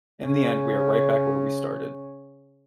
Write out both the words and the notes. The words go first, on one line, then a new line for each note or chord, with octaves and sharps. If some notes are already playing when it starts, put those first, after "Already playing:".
In the end, we are right back where we started.
C#3 C#4